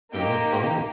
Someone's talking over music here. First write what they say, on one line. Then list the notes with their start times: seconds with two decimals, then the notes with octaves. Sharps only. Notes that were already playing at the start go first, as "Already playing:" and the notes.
Oh, oh.
0.12 A#3 D#4 G4 G5